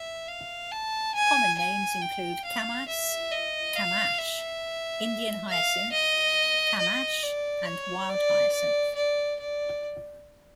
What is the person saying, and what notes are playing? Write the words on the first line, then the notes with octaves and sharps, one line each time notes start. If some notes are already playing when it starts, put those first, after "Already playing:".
Common names include camas, quamash, Indian hyacinth, camash, and wild hyacinth.
Already playing: E5
F5
A5
G#5
G#5
G5
F5
E5
D#5
F5
E5
F5
D#5
D#5
D5
C#5
D5
D5
D5
D5